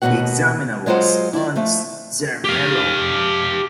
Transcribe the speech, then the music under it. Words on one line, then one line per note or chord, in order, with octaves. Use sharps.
The examiner was Ernst Zermelo.
D#2 B2 F#3 A#3 F#4 F#5
F#3 G#3 F4 F#4 C5 F#5
E4 D5
F3 A3
G4 F5